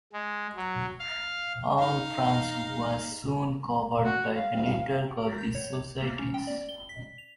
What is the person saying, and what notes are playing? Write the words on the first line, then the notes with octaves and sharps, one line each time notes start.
All France was soon covered by the network of these societies.
G#3
F#3
F5
D#4 F5
F#4
F5
A#4
G6
C#5
D6
A#3
C#4
G5
D5
G7
B6
F7